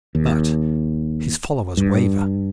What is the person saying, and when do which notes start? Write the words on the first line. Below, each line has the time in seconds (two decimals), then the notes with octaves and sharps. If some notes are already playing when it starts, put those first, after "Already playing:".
But his followers waver.
0.15 D#2
1.77 G2